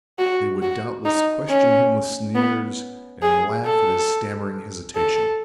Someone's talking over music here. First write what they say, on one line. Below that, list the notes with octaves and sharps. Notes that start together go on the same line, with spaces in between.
They would doubtless question him with sneers, and laugh at his stammering hesitation.
F#4
F#4
D#4
C#4
B3
G#4
A4
A4